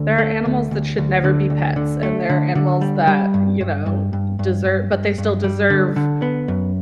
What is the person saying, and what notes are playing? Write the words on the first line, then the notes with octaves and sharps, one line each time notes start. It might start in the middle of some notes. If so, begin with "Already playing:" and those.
there are animals that should never be pets, and there are animals that, you know, deser but they still deserve
Already playing: D2 D3
A3
D2
D2
D2
D3
D2
D3
A3
D3
D3
G3
G3
G2
G2
G2
G2
G2
G2
G2
G2
G3
D3
D3
B3
F#2